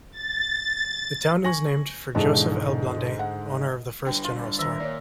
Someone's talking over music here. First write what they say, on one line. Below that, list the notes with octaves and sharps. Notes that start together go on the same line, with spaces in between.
The town is named for Joseph L. Blandin, owner of the first general store.
A6
G#5 C#6 A#6 F#7
E1 G#2 D3 E3 G#3 A5
F#5
G2 D3 G5
F4
D#3 A#4 E5
A#2 C#5 D5